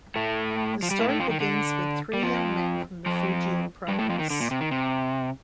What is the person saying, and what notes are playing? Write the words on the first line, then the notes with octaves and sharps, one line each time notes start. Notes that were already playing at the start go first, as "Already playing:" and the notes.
The story begins with three young men from the Fujian province.
A2 A3
F3
G3
A2 A3
A2 A3
F2 F3
D#3
D3
G3
F2 F3
F2 F3
G2 G3
A2 A3
F2 F3
D#3
D3
A#2
C3
D#3
C3